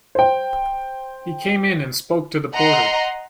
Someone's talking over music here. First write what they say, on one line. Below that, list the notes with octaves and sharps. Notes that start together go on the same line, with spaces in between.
He came in and spoke to the porter.
C5 G5
D#5 F#5 A#5 C6